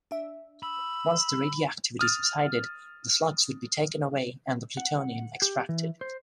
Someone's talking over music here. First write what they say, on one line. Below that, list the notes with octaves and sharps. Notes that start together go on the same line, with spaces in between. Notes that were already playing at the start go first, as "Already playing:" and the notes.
Once the radioactivity subsided, the slugs would be taken away and the plutonium extracted.
D4 E5
B5 E6
D#6 F6 A6
F#5
G4
E3
C5